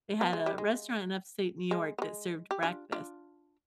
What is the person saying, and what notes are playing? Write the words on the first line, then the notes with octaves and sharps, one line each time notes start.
They had a restaurant in Upstate New York that served breakfast,
B3
G#3
G3
G#3
G#3
B3
G#3
G4
D4 F4
D4 F4